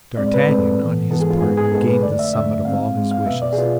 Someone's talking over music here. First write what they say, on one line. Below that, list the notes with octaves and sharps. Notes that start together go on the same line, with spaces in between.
D'Artagnan, on his part, had gained the summit of all his wishes.
A2 G#3 C4 D5
B4
A2 G#3 C4 A4
G#2 E3 B3
G#2 E3 B3 A4
G#4
F4
G#2 G#3 B3 G#4
G#4
G#2 G#3 B3 A4
B4
F2 D3 A3 D5
E5
F2 D3 A3 E5
G#2 G#3 C4 F5
G#2 G#3 C4
F5
B2 B3 E5
D5
G#4
B2 B3 F4